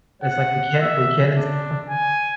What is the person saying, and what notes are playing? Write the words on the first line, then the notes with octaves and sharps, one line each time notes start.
It's like we can't we can't install
F#5
E5
D4
G#5